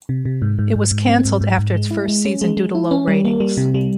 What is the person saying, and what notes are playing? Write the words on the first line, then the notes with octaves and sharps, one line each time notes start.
It was cancelled after its first season due to low ratings.
C3
C3
G#2
G#2
G#2
G#2
C4
G#2
G#2
G#2
G#3
E4
G#3
C#4
G#3
G#3
E4
C#4
G3
A#3
G3
C3
G3